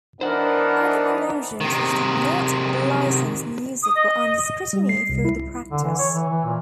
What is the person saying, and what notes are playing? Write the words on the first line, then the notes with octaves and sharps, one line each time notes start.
Other promotions which did not license music were under scrutiny for the practice.
E3 B3 D4 D#4 A#4 C5 F#5
C3 D#3
D#6
D#5
G3
C7
C2
E4
D3
E3
C#5
E3
E3
A#2